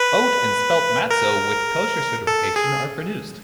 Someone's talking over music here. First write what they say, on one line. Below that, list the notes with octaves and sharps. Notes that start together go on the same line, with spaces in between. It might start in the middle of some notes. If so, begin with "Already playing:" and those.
Oat and spelt matzo with kosher certification are produced.
Already playing: B4
A#4
A4
G#4